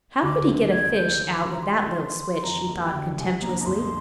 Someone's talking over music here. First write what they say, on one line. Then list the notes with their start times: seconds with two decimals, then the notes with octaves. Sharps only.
How could he get a fish out with that little switch, she thought contemptuously?
0.22 D2 D3 D6
0.47 D2 D3
0.71 D#2 D#3 G#6
0.96 D#2 D#3 G6
1.33 D6
1.42 C6
1.52 A#5
1.63 C6
2.35 C6
2.43 F2 F3 A#5
2.68 D#2 D#3
2.81 G5
2.93 D2 D3
3.17 C2 C3 G#5
3.42 A#1 A#2 A#5
3.61 F2 A#5
3.66 G2 C6